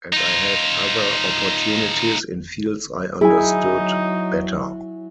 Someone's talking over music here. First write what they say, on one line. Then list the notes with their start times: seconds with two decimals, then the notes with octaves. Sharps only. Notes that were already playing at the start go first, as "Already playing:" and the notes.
And I had other opportunities in fields I understood better.
0.13 D#4 F4
3.21 F#3 D#4 E4 G#4 G#5